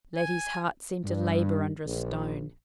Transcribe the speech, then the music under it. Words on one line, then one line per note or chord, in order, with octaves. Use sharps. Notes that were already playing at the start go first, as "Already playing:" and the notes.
Letty's heart seemed to labor under a stone.
G#5
G2
A#1